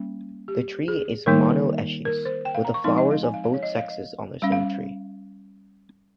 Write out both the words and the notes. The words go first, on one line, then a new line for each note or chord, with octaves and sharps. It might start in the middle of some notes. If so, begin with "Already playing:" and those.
The tree is monoecious, with flowers of both sexes on the same tree.
Already playing: G3 A#3 C#4
G4
G#4
D#3 G3 A#3 D#4 A#4
A#4
C5
G5
F5
A#5
C#6
F3 G#3 C4 D#4 C6
D#5
F5
G#5
F5
F5
C#5
D#5
F5
D#5
G3 C#4 F5
F5